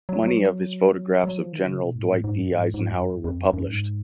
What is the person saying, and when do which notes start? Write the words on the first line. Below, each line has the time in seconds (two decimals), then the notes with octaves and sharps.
Many of his photographs of General Dwight D. Eisenhower were published.
0.09 F#3
0.23 F#3
1.24 F#3
1.38 F3
1.53 D#3
1.67 C#3
1.81 B2
1.95 G#2
2.04 A#2
2.10 G#2
2.24 G#2
2.38 F#2
2.53 G#2
2.74 G#2
2.90 F2
2.96 F#2
3.10 F2
3.24 F2
3.39 F#2
3.53 F#2
3.68 G#2